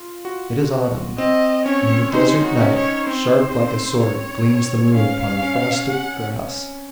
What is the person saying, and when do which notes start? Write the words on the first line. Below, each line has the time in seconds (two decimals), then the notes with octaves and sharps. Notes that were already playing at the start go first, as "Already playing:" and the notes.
It is autumn; in the desert night, sharp like a sword gleams the moon upon the frosted grass.
Already playing: F4
0.25 F#4
1.18 C4 D#5
1.65 C#4 C#5
2.12 D#4 C5
2.44 F#4
2.60 C#4
2.76 C#5
3.07 C4 C5
4.01 C#5
4.95 C#4 F5
5.42 C#4
5.89 F#5